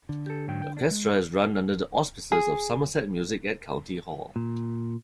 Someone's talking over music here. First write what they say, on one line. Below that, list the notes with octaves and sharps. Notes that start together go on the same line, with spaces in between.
The orchestra is run under the auspices of Somerset Music at County Hall.
D3
G4 A4
G#2 F#3 G5
G5
D4
G#3
G#4
A#2